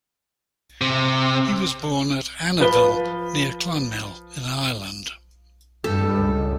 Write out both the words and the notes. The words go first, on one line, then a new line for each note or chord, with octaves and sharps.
He was born at Annerville, near Clonmel in Ireland.
C3
F3 B4 G7
G2 G3 A4
C#2